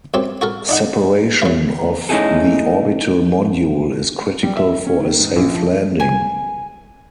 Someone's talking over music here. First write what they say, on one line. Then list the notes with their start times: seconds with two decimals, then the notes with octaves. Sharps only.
Separation of the Orbital Module is critical for a safe landing.
0.14 F#2 C4 G4
0.41 F#4 A4 A#4
0.69 D4 D#4 F#5
1.42 F#2 E3
2.09 A3 C#4 D#4 E4 G#4 A4
4.43 G3
4.57 E5
4.87 C#4
5.00 D#3
5.19 G#2
5.36 A#1
5.54 F3
6.00 G#5